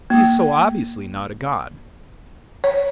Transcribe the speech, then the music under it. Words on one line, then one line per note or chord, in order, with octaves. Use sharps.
He is so obviously not a god.
A#3
C#5